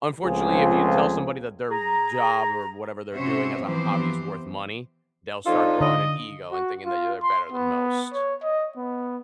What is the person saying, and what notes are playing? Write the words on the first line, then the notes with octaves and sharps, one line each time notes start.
unfortunately, if you tell somebody that their job or whatever they're doing as a hobby is worth money, they'll start growing an ego and thinking they're better than most.
C#2 F3 A3 C4 F4 G#4
G#4 A#5
C3 C#4 F#4 C5 C#5 E5
E3 F3 B3 C4 G4 C5
F2 D4 D#4 F4 A4
D3 D#5
F#4
F4
C6
B3
C#5
D#5
B3